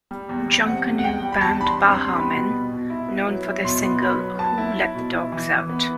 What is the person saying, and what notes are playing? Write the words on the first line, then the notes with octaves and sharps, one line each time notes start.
Junkanoo band Baha Men, known for their single Who Let the Dogs Out?
G3
E2
G3
C3 F#5
E2
F#5
E2 G5
G3
B5
E2 A5
D4 B5
C6
C3
C6
G3
B3 B5
B2
B2
B2
E4
B3
F#3
E4
B2 C6
B3
F#3 B5
B3
F#3 A5
E4
E4
B2
E4
E3
E3
B3